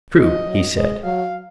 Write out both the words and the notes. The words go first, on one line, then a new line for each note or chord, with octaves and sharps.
True, he said.
F3 D#5
F#3
G#3 D#5
F#3 F5